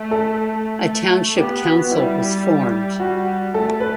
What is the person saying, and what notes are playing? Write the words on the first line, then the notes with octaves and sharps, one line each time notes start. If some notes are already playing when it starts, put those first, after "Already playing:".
A township council was formed.
Already playing: A3
A4
A3
B3 G4
F#4
G3 E4
G3 F#4
A3 A4
B4